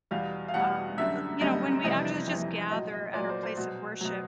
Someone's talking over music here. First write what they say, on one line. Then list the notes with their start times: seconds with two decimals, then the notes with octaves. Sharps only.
um, uh, you know when we actually just gather at our place of worship,
0.11 E2 B2 G3 F5
0.48 F5
0.54 E2 B2 G3 F#5
0.97 F#2 D3 G3 E5
1.41 F#2 D3 G3 D#5
1.84 F2 C3 E3 G3 D#5
2.27 F2 C3 E3 G3
2.71 A#2 F#3 D#5
2.93 D#5
3.14 A#2 D5
3.19 F#3
3.29 C5
3.43 C5
3.57 B2 F#3
4.01 B2 F#3